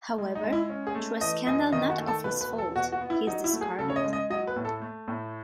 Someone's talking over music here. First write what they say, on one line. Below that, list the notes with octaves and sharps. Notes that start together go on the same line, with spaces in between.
However, through a scandal not of his fault, he is discarded.
G#3
D#4
G#3
E4
C#4
G#4
A3
E3 D#5
F#2 D#5
D#3 D#5
F#4
A3
A4
B2 B4
B4
E2
A4
B2 F#4
F#4
B3
E4
F#3 D#4
E4
A3
G#4
C#3 A4
C#5
D#5
G#3
D#5
F#3 D#5
B4
A2
A4
A3
A2